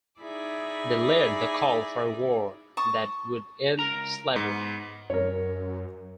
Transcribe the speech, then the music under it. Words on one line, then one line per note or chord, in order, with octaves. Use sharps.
They led the call for a war that would end slavery.
D#4 E4 G#4 D5 B5
A5 C#6 D#6
C#2 A#4 A#5
G#2 B3
F#2 A#4 C#5